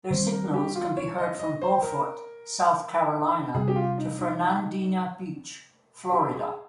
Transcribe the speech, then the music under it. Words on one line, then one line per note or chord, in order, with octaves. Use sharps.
Their signals can be heard from Beaufort, South Carolina to Fernandina Beach, Florida.
D#3 G3 C4 C5
A#4
G4
F4
C#5
D#5
D#5
C5
A#4
C3 G3 C4 G#4
G4
F4
D#4
D#4
G4
G#4